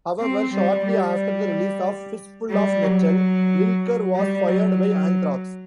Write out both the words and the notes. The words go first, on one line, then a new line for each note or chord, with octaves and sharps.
However, shortly after the release of "Fistful of Metal", Lilker was fired by Anthrax.
C4
G3
G3
G3
F#3
G3
F#3